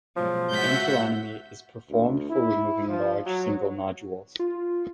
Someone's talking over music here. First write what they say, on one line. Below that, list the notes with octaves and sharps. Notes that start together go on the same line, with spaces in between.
Enterotomy is performed for removing large, single nodules.
G#2 B2 F3 F#3
G#2 F4 F#4 E5 F#5 G6 B6
D2
E4
F3
F#3
F4